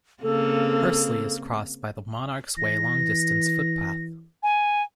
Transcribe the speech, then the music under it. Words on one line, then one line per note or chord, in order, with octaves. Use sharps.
Hursley is crossed by the Monarch's Way long distance footpath.
C#3 A#3 C4 A4
E3 A#6
G#5